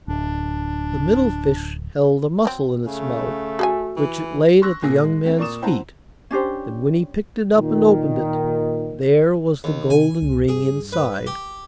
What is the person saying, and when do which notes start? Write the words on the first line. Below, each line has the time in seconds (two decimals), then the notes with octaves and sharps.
The middle fish held a mussel in its mouth, which it laid at the young man's feet, and when he picked it up and opened it, there was the golden ring inside.
0.08 D1 D4
2.45 F#3 C4
2.85 C#3 A3
3.59 F#4 G#4 A4 G#5
3.97 E3
4.62 C6 C#6 E6 F#6 A#6
4.82 A#1 A#2 G#4 E6 A#6
5.04 G#3
5.24 A3 C4
5.38 A#2 A#4 D5 C#6 D#6 E7
5.62 C4 E4 C5 F#5 A5 A#5
6.31 C#4 D4 G4 C5
7.56 A#2 D#3
9.64 D#2
9.90 C3 G#5
10.22 C#2
10.48 G2 G#4
10.92 B4
11.27 G4